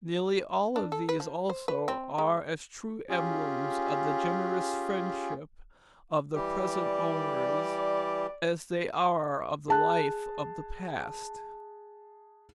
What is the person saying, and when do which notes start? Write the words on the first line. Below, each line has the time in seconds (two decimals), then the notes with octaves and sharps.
Nearly all of these also are as true emblems of the generous friendship of the present owners as they are of the life of the past.
0.76 D4
0.92 A4
1.09 B4
1.20 F3
1.50 C5
1.68 B4
1.88 C4
2.18 G#3
3.09 C#4 F4 G4 G#4
6.35 E3 G3 G4
6.72 D5
9.68 G#4 A5 F#6